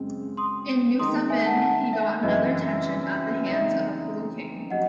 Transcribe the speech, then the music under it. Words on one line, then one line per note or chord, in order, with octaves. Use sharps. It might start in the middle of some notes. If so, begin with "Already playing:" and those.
In Nusaybin, he got another tension at the hands of a cruel king.
Already playing: F#2 C#3 G#3 C4
C6 D#6
D#3 G#3 C4 D#4 C6 D#6
E5 G#5
F#5 A5
F#5 A5
E5
F#2 C#3 E3 C4 E4 D#5
C#3 E3 C4 D#4 E5
F#3 D#5 F#5